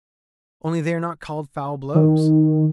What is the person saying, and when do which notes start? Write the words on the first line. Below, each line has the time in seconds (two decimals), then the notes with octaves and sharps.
Only they are not called foul blows.
1.94 D#3